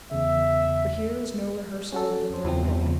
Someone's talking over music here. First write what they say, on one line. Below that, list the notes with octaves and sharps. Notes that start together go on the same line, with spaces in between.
But here is no rehersal of the third book.
E2 C#3 E5
C#4 F#4 A4
F2 C5
E2 C#3 F3 C4
G2 C3
C#2 F3